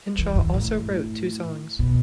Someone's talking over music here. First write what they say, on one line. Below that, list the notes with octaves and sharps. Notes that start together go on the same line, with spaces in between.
Henshaw also wrote two songs.
E3
G2
A2
B2